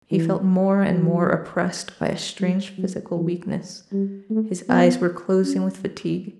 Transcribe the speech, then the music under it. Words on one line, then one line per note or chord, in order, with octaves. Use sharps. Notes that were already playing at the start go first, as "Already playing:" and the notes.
He felt more and more oppressed by a strange physical weakness. His eyes were closing with fatigue.
E3
F#3
G3
F#3
E3
G3
A3
B3
C#4